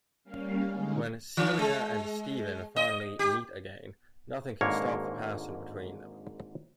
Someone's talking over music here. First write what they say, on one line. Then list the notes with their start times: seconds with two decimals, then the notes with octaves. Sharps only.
When Celia and Stephen finally meet again, nothing can stop the passion between them.
0.24 G3 A#3 C#4 F5
0.69 D3 G#3 C#4 D#4
1.37 E3
1.59 G#3
2.76 D#5
3.19 G4
4.61 G#1 G#2 D3 A#3 C#5